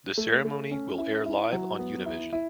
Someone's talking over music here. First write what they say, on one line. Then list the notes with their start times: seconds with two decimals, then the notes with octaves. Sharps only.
The ceremony will air live on Univision.
0.18 A3
0.45 A3
0.71 C#4
0.98 E4
1.26 E4
1.52 F#3
1.79 B3
2.06 E4
2.33 E4